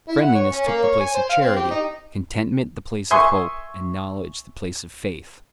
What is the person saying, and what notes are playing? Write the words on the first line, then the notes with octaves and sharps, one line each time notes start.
Friendliness took the place of charity, contentment the place of hope, and knowledge the place of faith.
E4
F#5
C#5
C#4
A#3
C#5
G#5
C5
F5
C4
G4
D#4
E5 G#5 C6 C#6 D#6